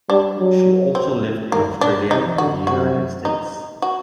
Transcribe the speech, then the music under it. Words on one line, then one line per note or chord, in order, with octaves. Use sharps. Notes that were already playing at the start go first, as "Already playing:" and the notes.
She also lived in Australia and the United States.
G3 D4
F#3
C4
D#3 A#3
A#2 D4
C3 D#4
D3 F#4
C3 F#4
D#4
F#4